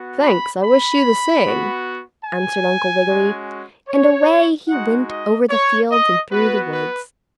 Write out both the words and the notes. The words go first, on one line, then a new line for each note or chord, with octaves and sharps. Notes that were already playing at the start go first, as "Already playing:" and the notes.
"Thanks, I wish you the same," answered Uncle Wiggily, and away he went over the fields and through the woods.
Already playing: B3 F#4
B5
B5
B3 F#4
G#5
G#3 C#4 F#4
C#5
G#3 D#4 F#4 F#5
D#5
C#5
D#5
B3 F#4 B4
B4